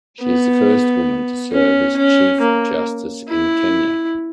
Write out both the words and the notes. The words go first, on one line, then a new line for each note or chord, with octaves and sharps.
She is the first woman to serve as Chief Justice in Kenya.
B3
C#4
C#4
A#3
E4